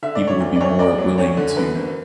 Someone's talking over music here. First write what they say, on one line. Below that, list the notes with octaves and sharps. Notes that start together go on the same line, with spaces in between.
people would be more willing to,
D3 E5
D5
D3
C#5
D2
D5
D2 C#5
D2 D5
F#3
D2 C#5
D3
F#2 B4
F#1